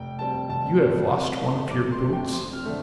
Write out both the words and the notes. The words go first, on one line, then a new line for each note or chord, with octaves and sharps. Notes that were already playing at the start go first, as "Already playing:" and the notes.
"You have lost one of your boots?"
Already playing: F1 G5
F2 C3 G3 C4 A5
F1 A5
F2 C3 G3 C4
F2
C3 A3
F2 D6
C6
C3 A3
G5
F2 C6
F6
D3 A3 C4